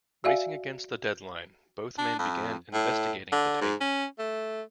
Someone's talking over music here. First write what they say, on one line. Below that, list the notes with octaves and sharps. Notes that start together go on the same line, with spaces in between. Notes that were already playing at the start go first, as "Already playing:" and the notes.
Racing against the deadline, both men begin investigating the tape.
F#4 D5 E5 F5 G#5
D4
F2
A2
D3
G#2
C#4
A3